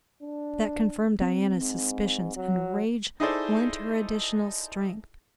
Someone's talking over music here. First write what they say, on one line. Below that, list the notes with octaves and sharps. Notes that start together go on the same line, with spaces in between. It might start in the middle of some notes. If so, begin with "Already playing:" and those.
That confirmed Diana's suspicions and rage lent her additional strength.
D4
C4
G#2
F#3
D#4 E4 G#4 A4 C5 D5